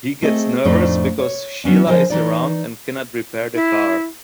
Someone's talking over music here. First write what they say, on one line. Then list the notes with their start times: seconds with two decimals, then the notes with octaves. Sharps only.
He gets nervous because Sheela is around and cannot repair the car.
0.22 A3 C4 G#4 D#5
0.64 F2 A2 A3 C4 D4 D#4
1.19 C#5
1.64 F#3 B3 C#4 D4
1.87 D3 F3 A#4 C5 D#5 G#5
2.10 E3 D#4 D5
3.55 E4